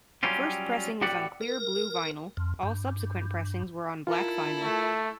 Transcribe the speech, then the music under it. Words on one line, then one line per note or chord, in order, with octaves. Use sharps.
First pressing was on clear blue vinyl; all subsequent pressings were on black vinyl.
F#3 G3 C#4 F4 G4
A2 F#4 G4 D5 F#5
A#4
F2
G2
E4 F4 A4 A#4
A3